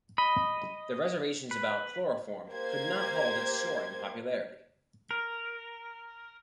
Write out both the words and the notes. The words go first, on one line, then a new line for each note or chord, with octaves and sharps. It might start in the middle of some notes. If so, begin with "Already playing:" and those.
The reservations about chloroform could not halt its soaring popularity.
D#5 B5
B4
A#3 G4 C5 G#6
A#4